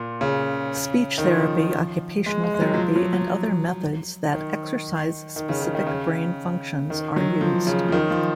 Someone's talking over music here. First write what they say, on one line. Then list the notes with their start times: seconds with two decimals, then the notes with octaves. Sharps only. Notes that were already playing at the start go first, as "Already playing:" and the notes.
Speech therapy, occupational therapy, and other methods that "exercise" specific brain functions are used.
Already playing: A#2
0.21 C#3
1.18 D#3
1.24 F3
2.26 G#3
2.44 G#3
2.54 G#3
2.61 F#3
2.74 F#3
2.78 F3
2.96 F#3
3.13 F#3
4.33 D#3
5.36 D#3
5.49 C#3
5.61 D#3
5.75 D#3
5.87 C#3
6.90 D#3
7.16 F#3
7.41 F3
7.67 C#3
7.89 F3
7.92 D#3
8.10 F3